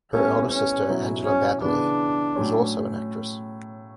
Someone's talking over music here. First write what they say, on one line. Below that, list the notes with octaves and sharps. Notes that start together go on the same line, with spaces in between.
Her elder sister, Angela Baddeley, was also an actress.
G3 B3 C#4 E4 A4
C#4
B2 F#3 C#4 E4
C#4
C#3 E3 B3 D4
A2 F#3 C#4